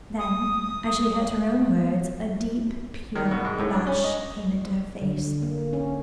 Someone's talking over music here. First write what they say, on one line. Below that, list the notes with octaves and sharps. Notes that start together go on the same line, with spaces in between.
Then, as she heard her own words, a deep, pure blush came into her face.
D#6
D#3
B2
G#2
A2
D4
C#4
D#5
D3
A#3
C#4